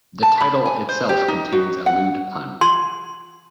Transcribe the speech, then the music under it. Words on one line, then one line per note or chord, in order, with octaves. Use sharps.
The title itself contains a lewd pun.
A5
B5
G#5
C5
G4
D#4
F#4
F#5
C6